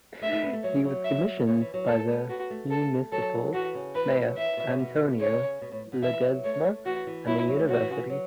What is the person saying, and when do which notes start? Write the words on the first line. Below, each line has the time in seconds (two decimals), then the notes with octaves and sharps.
He was commissioned by the municipal mayor Antonio Ledezma and the university.
0.22 A3 E5
0.32 A3
0.43 B3
0.53 A3
0.64 F#3 C#5
0.84 F#3
1.05 E5
1.47 C#3 C#5
1.60 E3
1.74 F#3
1.88 A3 A4
2.09 B3
2.29 B3 F#4
2.50 A3
2.71 A4
3.12 F#3 A4
3.54 E3 F#4
3.75 C#3
3.95 E3 B4
4.05 A3
4.16 E3
4.26 F#3
4.37 E3 E5
4.57 B2
4.68 C#3
4.79 B2
5.20 C#3 C#5
5.41 C#3
5.61 B2
5.72 A2
5.92 B2
6.02 E3 E5
6.24 F#3
6.44 A3 C#5
6.65 A3
6.86 E3 F#4
7.07 E3
7.27 F#3 E4
7.37 E3
7.48 F#3
7.59 A3
7.69 F#3 F#4
7.79 E3
7.90 C#3
7.99 E3
8.10 F#3